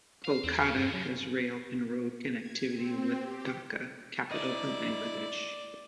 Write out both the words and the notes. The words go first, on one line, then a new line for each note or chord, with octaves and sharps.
Kolkata has rail and road connectivity with Dhaka, capital of Bangladesh.
F5
E2 C4
C#5 E5
G2 C3
F#3
G#6
C4
G4
E4 D5 D#5